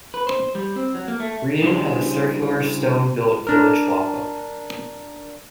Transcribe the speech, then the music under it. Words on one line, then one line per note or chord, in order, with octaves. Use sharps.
Breedon has a circular stone-built village lock-up.
B4
C5
G3
C4
F#3
A#3
A3
C#3 G3 D4 E4 G#4 C5
D4 A#4